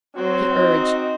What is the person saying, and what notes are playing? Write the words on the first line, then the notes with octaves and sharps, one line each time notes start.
He urged.
F#3 C4 F#4
D#4